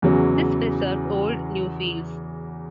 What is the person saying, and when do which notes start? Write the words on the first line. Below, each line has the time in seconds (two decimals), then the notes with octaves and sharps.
This preserved old Newfields.
0.02 E2 C#3 E3 F#3